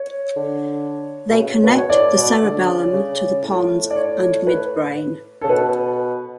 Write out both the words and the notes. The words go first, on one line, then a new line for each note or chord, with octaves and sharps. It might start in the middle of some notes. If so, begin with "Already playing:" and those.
They connect the cerebellum to the pons and midbrain.
Already playing: C#5
D3
B2
C#3
B2 B4
C#5
A2 D5
B2
D3
C#3
C#3
A2
D5
C#5
B4
C#3 A4
B2 B4